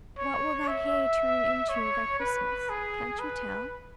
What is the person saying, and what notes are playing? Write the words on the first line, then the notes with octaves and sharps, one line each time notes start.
What will that hay turn into by Christmas? Can't you tell?
C#5
E5
C#5
B4
G#4
B4